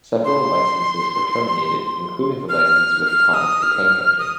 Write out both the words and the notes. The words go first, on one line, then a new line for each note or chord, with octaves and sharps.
Several licenses were terminated including the license with Thomas the Tank Engine.
C6
F6
F6
D#6
F6
D#6